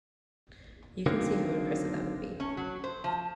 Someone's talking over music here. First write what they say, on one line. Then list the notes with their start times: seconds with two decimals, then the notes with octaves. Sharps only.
You can see how impressive that would be.
1.06 D3 D#3 F#3 A#3 C4
2.40 C#4
2.57 F#3
2.84 C5
3.04 F3